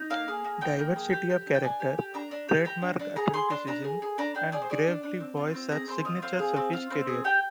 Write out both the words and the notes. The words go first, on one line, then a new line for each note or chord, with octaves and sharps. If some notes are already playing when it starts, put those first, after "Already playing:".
Diversity of character, trademark athleticism, and gravelly voice are signatures of his career.
Already playing: D#4
A#3 F5
G#4
A#3
D#4 G5
A#3
G#4
G4
G4
D4
G5
D4 G#5
G4
G4
D4 A#5
D4
G4
G4 A#5
D4
D4
G#4 A#5
G#4 C6
D4 C6
D4 A#5
G#4
G#4
D4 A#5
D4 G5
G#4 D5
C5
G#4 D5
D4
D4
C4
F4
C4
G#4 A#5
C4 C6
F4 D#5
C4 F5
G#4
C4
F4
C4
G#4
G4 G5